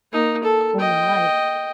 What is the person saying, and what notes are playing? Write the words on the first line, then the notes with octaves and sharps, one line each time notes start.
Oh my.
A#3 D#4
A4
D#5 G5